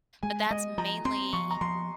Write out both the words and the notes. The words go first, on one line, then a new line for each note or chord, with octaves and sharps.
But that's mainly,
G#3 G#5
G#3 D#5
F3 A#5
C4 C6
F3 C#6
A#5
F3 C6